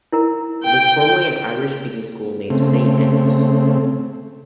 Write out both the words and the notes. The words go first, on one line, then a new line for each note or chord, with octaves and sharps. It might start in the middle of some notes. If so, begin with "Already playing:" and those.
It was formerly an Irish speaking school named Saint Enda's.
E4 A#4 A#5
G5
C#3 A3 C4